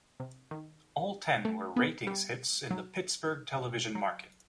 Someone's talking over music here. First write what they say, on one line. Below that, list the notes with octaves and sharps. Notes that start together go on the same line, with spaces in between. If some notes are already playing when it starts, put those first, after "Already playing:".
All ten were ratings hits in the Pittsburgh television market.
C3
D#3
A3
B3
G3
F#3
F#3